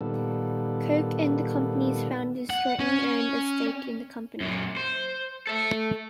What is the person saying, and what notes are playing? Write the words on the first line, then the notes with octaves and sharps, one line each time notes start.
Coke and the company's founders jointly owned a stake in the company.
A#2 D#3 G3 B3 A4
F#5
C#4
F#2 A#2
C5
A4 E5